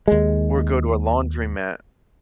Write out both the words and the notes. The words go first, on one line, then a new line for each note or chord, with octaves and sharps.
Or go to a laundromat,
D#2 G#3